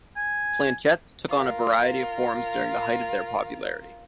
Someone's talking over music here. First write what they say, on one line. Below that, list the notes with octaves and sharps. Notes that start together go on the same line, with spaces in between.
Planchettes took on a variety of forms during the height of their popularity.
G#5
F4 A#4